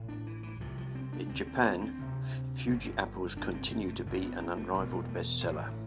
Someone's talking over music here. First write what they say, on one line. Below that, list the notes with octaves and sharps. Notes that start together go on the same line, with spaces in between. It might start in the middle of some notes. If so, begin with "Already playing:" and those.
In Japan, Fuji apples continue to be an unrivaled best-seller.
Already playing: A1 A2
D4
E3
E3
C2 C3 F3
F3
C4
D4
D2 D3 C4
C4
B3
C4
D2 C3
G1 F2 D3
G1 F2 C3 D4
C4
C4
A3
G1 G2 D3
B3
C4
A3
E1 E2 B2 G3
G3
A3
A1 A2 E3
D3